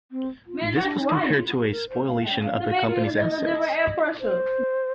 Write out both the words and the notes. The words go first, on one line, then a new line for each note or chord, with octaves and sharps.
This was compared to a spoliation of the company's assets.
C4
F4
D#4
D4
D#4
D#4
F4
F4
G4
A#4
C5
F5
G5
F5
A#4
C5
D5
D#5
C5